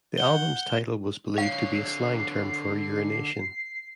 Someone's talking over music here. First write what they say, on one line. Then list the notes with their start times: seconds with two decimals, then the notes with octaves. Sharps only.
The album's title was believed to be a slang term for urination.
0.18 F#5 G6 G7
1.38 D3 C#5 F5 C7